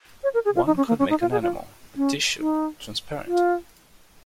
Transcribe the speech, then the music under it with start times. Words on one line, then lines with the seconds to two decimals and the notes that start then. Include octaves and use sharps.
One could make an animal — a tissue — transparent!
0.23 C#5
0.34 A#4
0.45 G#4
0.56 F4
0.67 D#4
0.77 C#4
0.88 A#3
0.99 C#4
1.10 D#4
1.21 F4
1.32 G#4
1.43 F4
1.97 C#4
2.39 D#4
3.27 F4